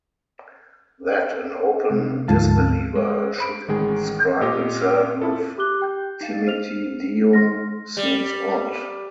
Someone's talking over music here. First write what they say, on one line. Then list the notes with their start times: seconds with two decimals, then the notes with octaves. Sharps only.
That an open disbeliever should inscribe himself with Timete Deum seems odd.
1.91 C3
2.28 D2 G#2 F3 F5 A5
2.95 G#3
3.38 C5 B5 D7
3.68 A1 D#3 G#3 G#4
4.41 A#2 G4 D#5
5.22 E4 F4 A4
5.58 G4 D6 F#6 G7
5.80 G4 G5 G6
6.21 D#4 F5 A6
6.47 C5 F6 F7
7.33 C6 F6 A#6
7.97 G3